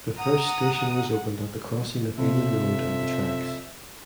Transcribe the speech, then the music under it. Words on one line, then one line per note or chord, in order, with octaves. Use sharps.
The first station was opened at the crossing of Union Road and the tracks.
F#5 A#5 D#6
F2 C3 E5